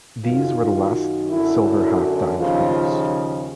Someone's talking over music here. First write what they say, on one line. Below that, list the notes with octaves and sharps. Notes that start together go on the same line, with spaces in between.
These were the last silver half dimes produced.
F#2 D#3 F#3 F4
F#2 D3 F#3 E4
D#2 C#3 F3 F4